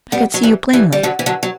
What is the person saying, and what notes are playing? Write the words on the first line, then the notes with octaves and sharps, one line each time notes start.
I could see you plainly.
G3 B3
F#3
E3 G3
E3 G3
G3
D3 F#3
E3
D3 F#3
F#3